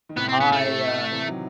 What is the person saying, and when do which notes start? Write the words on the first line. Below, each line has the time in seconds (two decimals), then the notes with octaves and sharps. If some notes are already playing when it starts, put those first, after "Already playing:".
I, uh,
0.09 D#3
0.17 A2 C3 B3
0.28 C4
0.40 B3
0.53 A3
1.11 C3 E3
1.27 D#3 F#3